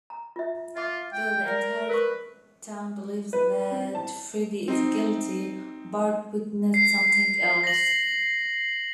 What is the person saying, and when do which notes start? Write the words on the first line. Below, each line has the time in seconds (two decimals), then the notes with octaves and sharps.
Though the entire town believes that Freddy is guilty, Bart witnessed something else.
0.10 A#5
0.36 F4 E5
0.76 F4 E5 D6
1.13 G5
1.46 A#4 D5
1.89 A#4 B4 C#6
3.33 B4
3.71 C4
3.95 A5
4.68 C4 D#4
6.74 C7
7.63 A#6 F#7